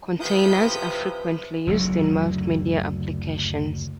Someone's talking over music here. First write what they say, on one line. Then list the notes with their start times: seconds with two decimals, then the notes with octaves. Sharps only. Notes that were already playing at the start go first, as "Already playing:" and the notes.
Containers are frequently used in multimedia applications.
0.19 C3 F3 E4 B4 D#6 G6 B6
1.67 F#1 D2 F#3